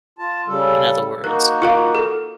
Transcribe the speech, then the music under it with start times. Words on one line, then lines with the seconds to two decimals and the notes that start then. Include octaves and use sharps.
in other words.
0.19 F4 A5
0.47 C#3 G3 A4
1.24 A#3 D#4 F#4 A#4
1.62 F4 A#4 F5
1.95 A4